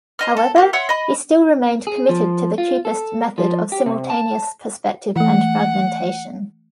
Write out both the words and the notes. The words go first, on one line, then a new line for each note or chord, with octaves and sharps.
However, he still remained committed to the cubist method of simultaneous perspective and fragmentation.
C5 D#5 F6
A4
A#3 G4
C#5 E5 F#5 C6
D#5 B5
G#4
F3
F4
A4
F3
G4
C3
A5
E3 A3 F#5